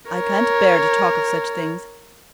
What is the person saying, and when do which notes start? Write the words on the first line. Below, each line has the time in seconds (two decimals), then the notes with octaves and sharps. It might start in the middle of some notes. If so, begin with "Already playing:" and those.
I can't bear to talk of such things.
0.11 A#4 C#5